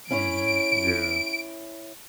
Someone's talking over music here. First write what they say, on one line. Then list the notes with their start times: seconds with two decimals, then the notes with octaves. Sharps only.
Mhm, yeah.
0.11 C#4 E4 C#5 D7